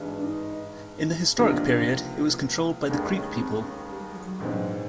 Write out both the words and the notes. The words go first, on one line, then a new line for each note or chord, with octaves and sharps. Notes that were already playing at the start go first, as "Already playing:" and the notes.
In the historic period, it was controlled by the Creek people.
Already playing: G#1 G2 E3 G#3
D4
D#4
C#2 C3 F3 A#3 D4 D#4
F1 D#2 D#3 G#3 D4
C#4
B3
C4
C#4
G3
F#3
G3
A#1 G#2 E3 F#3 G#3 C4